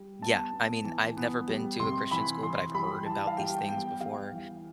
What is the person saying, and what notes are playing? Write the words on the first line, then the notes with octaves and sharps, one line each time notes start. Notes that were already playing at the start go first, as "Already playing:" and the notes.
yeah, I mean, I've never been to a Christian school, but I've heard about these things before,
Already playing: G3
B3 A5
B3
E3
B3
G3
C3 C6
E3 B5
E3 C6
G3 B5
E3 A5
F5
G3 G5
B3 G5
G3 F5
E3